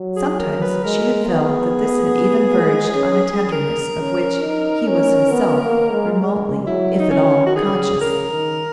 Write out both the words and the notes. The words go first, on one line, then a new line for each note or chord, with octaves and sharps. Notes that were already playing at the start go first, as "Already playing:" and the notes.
Sometimes she had felt that this had even verged on a tenderness of which he was himself remotely, if at all, conscious.
Already playing: F#3
G#4
A#4
B4
G#3 A#4
B3 G#4
G#3
C#4
A#4
C#4
D#4
C#4
B3
A#3
G#3
G#3
F#3 E4
D#4
E3 C#4
D#3
F#4
G#4
C#3
C#3 A#4
D#3